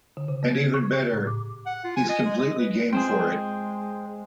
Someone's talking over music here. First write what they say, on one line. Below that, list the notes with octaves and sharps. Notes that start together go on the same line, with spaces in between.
And even better, he's completely game for it.
D3
C#3
A#3
G#6
C#6
G4
A2
D6
F#5
F4
G#5
D#5
G#3
D#5
B4
G#3 C4 F4 G#4 C5 G5